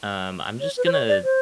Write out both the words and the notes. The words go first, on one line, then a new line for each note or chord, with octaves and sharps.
um, I'm just gonna
C#5
B4
C5
C#5
D5
C5